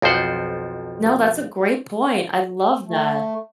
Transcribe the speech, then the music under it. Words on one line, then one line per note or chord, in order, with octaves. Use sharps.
No, that's a great point, I love that.
B1 F2 F3 C5 F#5
A3